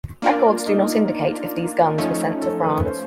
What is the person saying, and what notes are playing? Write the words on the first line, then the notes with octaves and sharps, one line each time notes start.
Records do not indicate if these guns were sent to France.
A#3 D4 F4 A#4 D5
D#4
F3 A3 C#4 D#4
A4
B4
C5